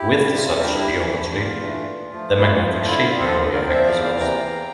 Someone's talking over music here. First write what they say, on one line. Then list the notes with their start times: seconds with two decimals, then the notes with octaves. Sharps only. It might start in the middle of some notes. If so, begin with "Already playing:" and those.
With such geometry the magnetic shape memory effect is lost.
Already playing: E4 G4
0.11 G3 D4
0.36 C3 F4
0.49 F4 A4
0.60 G3 D4 G4 A#4
0.73 E4 G4
0.86 E2
1.11 E3 A3 D4
1.32 E4
1.36 E2 F4
1.62 E3 A3 D4
1.86 A#2
2.12 F3 A3
2.37 A#2 E4
2.49 F4
2.62 F3 A3
2.75 F4
2.86 D3 E4
3.04 F4
3.12 F3 C4
3.20 F4 A4
3.37 D3 F4
3.54 A#4 D5
3.62 F3 C4
3.70 C5 E5
3.86 E2 D5 F5
4.03 D5 F5
4.13 C3 E3 A#3
4.20 G5 A#5
4.37 E2